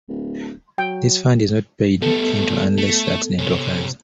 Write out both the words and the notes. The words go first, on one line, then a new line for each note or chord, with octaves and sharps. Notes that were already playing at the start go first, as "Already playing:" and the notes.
This fund is not paid into unless an accident occurs.
D1
F#3 G5
G3 A3 B3 A4
A3
C3 C#4